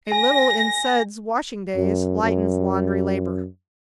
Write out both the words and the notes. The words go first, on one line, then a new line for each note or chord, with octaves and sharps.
A little in suds washing days lightens laundry labor.
G#5 A#6
F#2
F#2